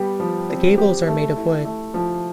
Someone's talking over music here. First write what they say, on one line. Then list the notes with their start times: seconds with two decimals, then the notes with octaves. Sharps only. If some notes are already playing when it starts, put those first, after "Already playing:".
The gables are made of wood.
Already playing: G3 B3 G4
0.20 F3
0.50 C4
0.78 G4
1.07 A3
1.37 E4
1.65 A3
1.94 F3